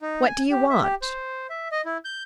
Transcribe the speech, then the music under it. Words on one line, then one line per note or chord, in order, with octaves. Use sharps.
"What do you want?"
D#4
G#5
G4
E5
G4
C5
E5
D#5
E4
G6